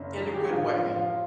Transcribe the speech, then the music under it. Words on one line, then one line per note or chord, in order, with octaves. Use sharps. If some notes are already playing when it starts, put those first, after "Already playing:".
in a good way,
Already playing: F#1 F#2
F#3
G#4
G4
F#4
A1 F3 F4
F3 F4
A1
F3 F4